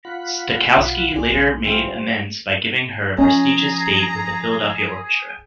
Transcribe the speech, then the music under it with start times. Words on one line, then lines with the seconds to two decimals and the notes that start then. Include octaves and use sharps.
Stokowski later made amends by giving her a prestigious date with the Philadelphia Orchestra.
0.05 F4 F#5 B5
0.76 B1 F#4
1.16 C2 G#4 D5
1.31 B1 F3 G#3
1.65 E3 G3 C4 F4 C5
3.18 F3 C#4 G#4 A#5